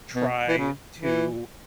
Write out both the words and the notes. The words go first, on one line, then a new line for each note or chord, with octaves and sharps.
try to,
B2
E3
C#3
E3